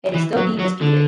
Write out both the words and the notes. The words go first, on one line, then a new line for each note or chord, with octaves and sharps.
It is still being disputed.
E3
F#3
F#3
D3